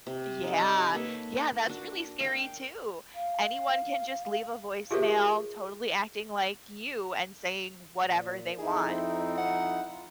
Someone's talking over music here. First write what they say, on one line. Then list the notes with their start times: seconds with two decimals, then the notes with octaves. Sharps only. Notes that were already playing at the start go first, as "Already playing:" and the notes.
Yeah, yeah, that's really scary, too, anyone can just leave a voicemail totally acting like you and saying whatever they want.
0.07 C3
0.44 D#4 A4
0.94 A#3 A4 B4 C#5
1.67 D4 F#4
2.20 F5 G5
3.15 F5
4.91 F4 G4 G#4 A#4 C5 E5
8.04 A#2
8.59 F2 D#4 E4 G#4
8.89 C4
9.38 F#5
9.88 F4